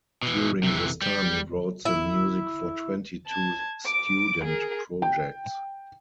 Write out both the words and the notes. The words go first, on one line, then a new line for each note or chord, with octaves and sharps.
During this time he wrote the music for twenty-two student projects.
B2 E3
C3 E3
G3
E4
A5 G#6
D6 D7
G#4 A#4
G5